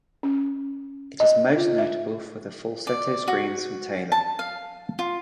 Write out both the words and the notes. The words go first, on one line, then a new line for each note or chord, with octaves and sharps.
It is most notable for the falsetto screams from Taylor.
C#4
D#5
F4
E5
D5
F#4
A5
F5
F4